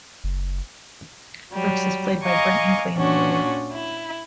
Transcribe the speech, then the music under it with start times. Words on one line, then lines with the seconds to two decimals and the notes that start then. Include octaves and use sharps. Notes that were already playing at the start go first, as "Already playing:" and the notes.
Brooks is played by Brent Hinkley in the movie.
0.24 F#1
1.52 F#3 G3
2.23 D#5 F5 G#5 A#5 C#6 D6
2.97 A#2 C#4 D4 F#4
3.72 E4